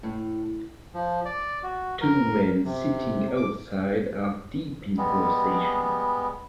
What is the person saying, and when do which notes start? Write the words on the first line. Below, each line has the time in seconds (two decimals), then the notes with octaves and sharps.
Two men sitting outside are deep in conversation.
0.03 A2
0.94 F3
1.25 D5
1.63 F#4
2.01 A#4
2.64 C3
3.37 D6
4.98 G3 G#3 B3